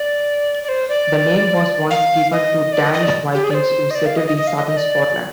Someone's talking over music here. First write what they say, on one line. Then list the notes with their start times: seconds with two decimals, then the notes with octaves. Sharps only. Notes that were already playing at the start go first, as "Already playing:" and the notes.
The name was once given to Danish Vikings who settled in southern Scotland.
Already playing: D5
0.64 D5
0.69 C5
0.89 D5
1.91 F5
2.32 D#5
2.73 D5
2.83 D#5
2.94 D#5
3.03 D5
3.35 G4
3.44 G#4
3.50 D5
3.54 C5
3.91 D#5
3.95 D5
4.06 F5
4.16 D#5
4.27 D#5
4.37 D#5
4.47 F5
4.57 D#5
4.67 D#5
4.77 D5